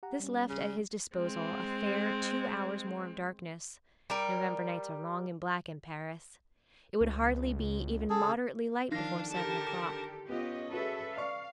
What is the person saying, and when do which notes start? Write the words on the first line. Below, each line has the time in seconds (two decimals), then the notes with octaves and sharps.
This left at his disposal a fair two hours more of darkness: November nights are long and black in Paris; it would hardly be even moderately light before seven o'clock.
0.03 G4 F#5 A#5
0.20 G3 C#4
0.49 C#3
1.17 G#3 C4
4.10 G3 A#4
7.01 C#2
8.10 C#3 G#4 A4
8.91 D#3 F3 D4 F5 A#6
9.30 D3 G4 A4 A#4 A5
10.29 B3 C#4 F4 G4 D#5
10.73 F#4 G#4 A4 B4 E5
11.17 D5 F5 C#6